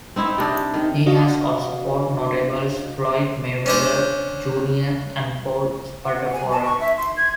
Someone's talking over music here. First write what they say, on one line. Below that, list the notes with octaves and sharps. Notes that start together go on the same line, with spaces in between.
He has also fought notables Floyd Mayweather Junior and Paul Spadafora.
C4 D#4 E4
C3 D4
D#3
D4 F#4 D#5 F5
C#4 D4 C5
F#5
G#5
A5
C#6
E5
C6
G#6